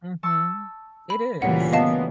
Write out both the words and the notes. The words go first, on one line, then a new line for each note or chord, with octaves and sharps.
Mhm, it is.
A5 C#6 E6
B5
D2 A#2 C#3 E3 G3 F#5
B3 D#5 F5 A5